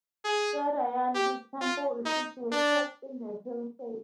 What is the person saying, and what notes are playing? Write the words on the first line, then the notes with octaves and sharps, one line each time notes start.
Sadayandi Temple is situated in the hill caves.
G#4
G4
F4
D#4
D4